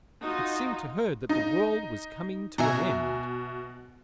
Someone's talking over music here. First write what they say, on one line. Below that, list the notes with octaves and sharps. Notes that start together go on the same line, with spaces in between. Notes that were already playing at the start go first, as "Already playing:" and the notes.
It seemed to her that the world was coming to an end.
D#4 F4 F#4
D#4
B2 E5 G#5 A#5